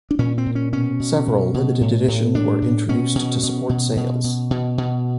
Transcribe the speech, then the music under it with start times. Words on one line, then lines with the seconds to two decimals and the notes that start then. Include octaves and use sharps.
Several limited edition were introduced to support sales.
0.11 D4
0.19 A#2 C#4
0.38 C4
0.46 A#2
0.55 C#4
0.73 B2 C#4
1.00 B2
1.28 B2
1.54 B2
1.81 A2
2.08 A2
2.34 A2 D4
2.62 A2
2.89 B2 C#4
3.15 B2
3.43 B2
3.69 B2
3.96 B2
4.24 B2
4.51 B2
4.78 B2